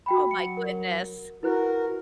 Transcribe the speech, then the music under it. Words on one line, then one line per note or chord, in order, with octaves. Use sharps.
Oh my goodness.
F#4 G5 B5
F#3 C#7
A#4
E4 F#4 A#4 B4 F#6